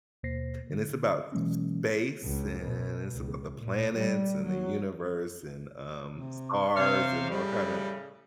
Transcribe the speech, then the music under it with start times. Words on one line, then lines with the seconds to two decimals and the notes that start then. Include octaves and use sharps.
And, it's about sp space, and it's about the planets and the universe and, um, stars and all kinda
0.23 D#2 B2 A#3 C5 A#6 C7
0.70 D3
1.32 B2 E3 F#3 G#3 A#3 C#4
2.23 C#2
2.63 B2
3.13 C#2
3.58 A#2
3.94 G3
4.44 F#3
6.11 C3
6.76 C3 C5 C#5 F5
7.30 A2 C#3 G3